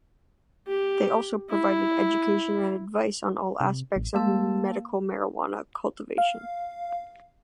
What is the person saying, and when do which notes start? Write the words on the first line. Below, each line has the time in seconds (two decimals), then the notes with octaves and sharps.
They also provided education and advice on all aspects of medical marijuana cultivation.
0.67 G4
1.50 E4
3.61 C3
3.96 A1
4.15 G#3 A#3 A5
6.18 F5